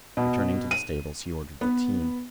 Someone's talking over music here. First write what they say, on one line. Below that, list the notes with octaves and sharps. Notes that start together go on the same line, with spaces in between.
Returning to the stables, he ordered the team.
B2
D#7
B3